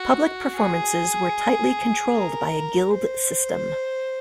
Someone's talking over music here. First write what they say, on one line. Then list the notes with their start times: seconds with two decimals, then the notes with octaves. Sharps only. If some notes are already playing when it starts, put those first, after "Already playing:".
Public performances were tightly controlled by a guild system.
Already playing: F#4
0.56 G#4
2.15 A#4
2.94 C5